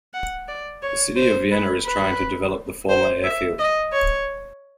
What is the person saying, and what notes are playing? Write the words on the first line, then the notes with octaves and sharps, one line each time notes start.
The City of Vienna is trying to develop the former airfield.
F#5
D5
C#5
C5
B4
B4
C5
E5
D#5
C#5